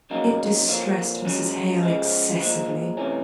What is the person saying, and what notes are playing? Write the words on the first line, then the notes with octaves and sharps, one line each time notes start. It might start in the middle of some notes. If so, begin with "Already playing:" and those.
It distressed Mrs. Hale excessively.
F2 C#3 F#3 A#3 D#4
D3 F3 A#3
C#2 C#3 F#3
C#2 C#3 F3 G#3
A#2 F3 G#3
C2 C3 E3 A3 C#4